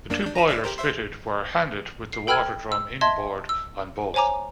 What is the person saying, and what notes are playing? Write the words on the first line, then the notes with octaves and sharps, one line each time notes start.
The two boilers fitted were 'handed' with the water drum inboard on both.
F#2 A#3 D4
D4 G6
A#5 B5
B1 D5 E5
G4 A#4 C5
C5 E5 C6
C7
A4 G5 B5 E6 F6 G#6
E6
D#5 E5 A5 C6 G#6
E6
C5 C#5 G#5 A#5 D6